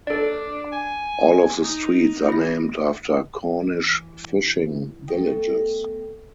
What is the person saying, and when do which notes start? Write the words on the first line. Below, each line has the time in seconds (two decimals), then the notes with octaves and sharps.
All of the streets are named after Cornish fishing villages.
0.07 D4 A4 D5
0.72 G#5
1.64 D#4
2.28 E4 A#6
3.63 E3
5.08 A3 B3 A4 D#5 G5